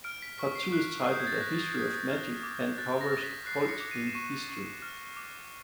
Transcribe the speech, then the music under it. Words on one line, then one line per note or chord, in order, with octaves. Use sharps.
Part two is titled "A History of Magic" and covers occult in history.
F6 D7
B6
C#6 B6
C7
F#6 C7
D#6
G6
G#6
A6
A#6
F#6 B6
D#6
F6
D6
F#6 A6
A#6
D6
B6
F#6 C7
C7
C#7
D6
D#7
E7
C#6 D#7
C#6
F6
D6